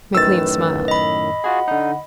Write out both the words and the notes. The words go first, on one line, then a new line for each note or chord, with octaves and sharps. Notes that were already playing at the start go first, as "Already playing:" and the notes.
McLean smiled.
F#2 A2 D#3 B4 E6 A6
D#5 B5
F4 F#4 G#4 F#5
D3 D#4